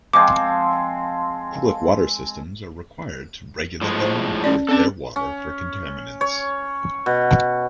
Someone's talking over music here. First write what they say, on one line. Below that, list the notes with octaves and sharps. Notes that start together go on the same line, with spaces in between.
Public water systems are required to regularly monitor their water for contaminants.
F3 G#3 C4 F5 A5 C6 D6
A2 F3 G#3
C5
C#4 D5
C4 C#4 A4 D5 A5
C#4
C#5
B2